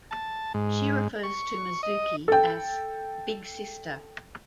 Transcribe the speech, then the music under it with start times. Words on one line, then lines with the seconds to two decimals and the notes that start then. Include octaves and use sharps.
She refers to Mizuki as "Big Sister".
0.11 A5
0.54 G#2
1.23 C#6
1.83 D#5
2.28 A4 G5